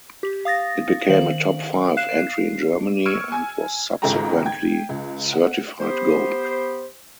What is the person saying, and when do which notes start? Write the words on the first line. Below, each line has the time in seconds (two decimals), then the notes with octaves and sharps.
It became a top five entry in Germany, and was subsequently certified Gold.
0.23 G4
0.45 F5 D#6 A6 A#6
1.09 D#3 C5 F5 F#7
1.97 F5 F#6 C7 E7
2.18 C7
3.06 C#6 E6 F6 G#6 C#7 D7
3.32 G#5 G#6
4.02 G#1 C#2 G#3 A4 G5 A#5
4.46 G5 G#6
4.89 C#2
5.33 F#5
5.79 B3 G4 C5